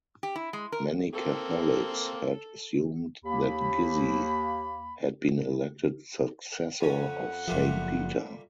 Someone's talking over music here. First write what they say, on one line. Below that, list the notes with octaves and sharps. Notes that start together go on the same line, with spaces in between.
Many Catholics had assumed that Gizzi had been elected successor of Saint Peter.
G4
E4
G#3
A#4
A#3 C4 A4
D#2 A#3 B5
F2 C#4 F#5
F#1 A#2 F3 G3 A3